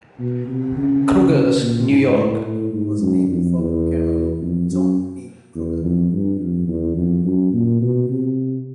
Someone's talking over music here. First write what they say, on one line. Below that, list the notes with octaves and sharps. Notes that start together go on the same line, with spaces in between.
Crugers, New York, was named for Colonel John P. Cruger.
B2
C3
C#3
C#3
C#3
A#2
G#2
A2
A2
G#2
F#2
F2
E2
F2
F#2
E2
F2
G2
F2
E2
F2
F#2
A#2
B2
C3